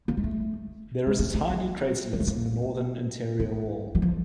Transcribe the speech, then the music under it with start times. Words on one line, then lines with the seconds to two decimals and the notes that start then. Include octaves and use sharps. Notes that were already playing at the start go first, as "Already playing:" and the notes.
There is a tiny craterlet in the northern interior wall.
0.08 A#3
0.17 G#3
0.24 A3
1.07 G#3
1.19 A3
1.34 A3
1.50 A#3
2.13 A#3
2.20 A3
2.27 A#3
3.40 B3
3.95 F#3
4.02 F3